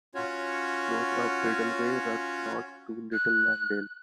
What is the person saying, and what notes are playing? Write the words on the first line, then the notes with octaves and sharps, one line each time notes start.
From Hodge Close a bridleway runs north to Little Langdale.
C#4 F4 F#4 C#5
F#6